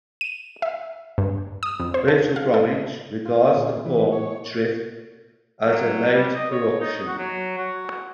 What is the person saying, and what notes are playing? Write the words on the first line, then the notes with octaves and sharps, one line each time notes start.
Rachel Bromwich regards the form "Trwyth" as a late corruption.
D#7
E5
G2
D#6
F2
C5
A4
F5
A4
F4
A#2
E3
C#5
F#3
G3
D#5
C#5
D#4
F#4
F#3
F#4